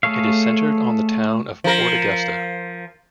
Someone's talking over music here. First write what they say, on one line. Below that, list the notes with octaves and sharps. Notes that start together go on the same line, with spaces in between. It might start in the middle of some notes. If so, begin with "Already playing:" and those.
It is centred on the town of Port Augusta.
A3 G#4 A4 C#5 F5
F3 A#4